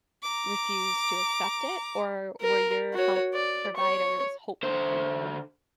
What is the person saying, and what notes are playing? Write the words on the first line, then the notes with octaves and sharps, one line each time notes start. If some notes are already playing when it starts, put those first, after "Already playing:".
refused to accept it, or were your health providers hopeful for you?
A#5 D6
A#4
F#4 C#5
D5
C#5 C#6
D3 C5